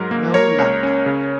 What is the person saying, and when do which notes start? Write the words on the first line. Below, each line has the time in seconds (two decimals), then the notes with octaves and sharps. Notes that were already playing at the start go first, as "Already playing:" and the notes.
No luck!
Already playing: G#2 F#3 G#3 A#4
0.11 A#3
0.34 A#3 A#4 C#5
0.58 C#2
0.83 C#4
1.06 C#3